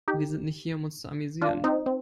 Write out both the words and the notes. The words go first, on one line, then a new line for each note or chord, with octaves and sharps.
Wir sind nicht hier, um uns zu amüsieren.
D#4 G4
D4 F4
C4 D#4
C4